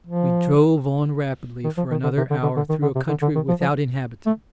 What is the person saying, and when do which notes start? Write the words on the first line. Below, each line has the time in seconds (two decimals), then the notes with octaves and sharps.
We drove on rapidly for another hour through a country without inhabitants.
0.07 F3
1.64 D#3
1.77 F3
1.91 D#3
2.03 D3
2.17 C3
2.30 D3
2.43 D3
2.56 D3
2.69 D#3
2.82 D3
2.95 C3
3.09 D3
3.22 D3
3.35 D#3
3.48 F3
3.61 F3
4.26 A3